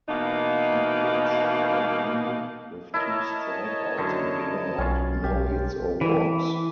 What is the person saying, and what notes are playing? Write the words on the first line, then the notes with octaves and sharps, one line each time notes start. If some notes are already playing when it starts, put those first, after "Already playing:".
He pitched one inning with two strikeouts and giving up no hits or walks.
B2 E3 A#3 D#4 F5
E4 A#4 C#5 D#5 A5
F#2 D3
B1 C#4 F4
B1 G4
E3